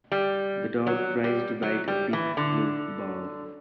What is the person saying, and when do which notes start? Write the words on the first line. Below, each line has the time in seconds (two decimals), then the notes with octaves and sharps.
The dog tries to bite a big blue ball.
0.12 G3
0.87 F#3
1.24 G3
1.63 F#3
1.88 G3
2.13 E3
2.37 D3